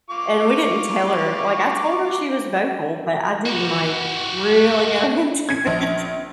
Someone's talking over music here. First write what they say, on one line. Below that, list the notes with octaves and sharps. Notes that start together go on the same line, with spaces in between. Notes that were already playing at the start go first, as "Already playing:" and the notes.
and we didn't tell her like, I told her she was vocal, but I didn't, like, really go into it.
F4 C#6 D6
F#4 G4
G#6
A#1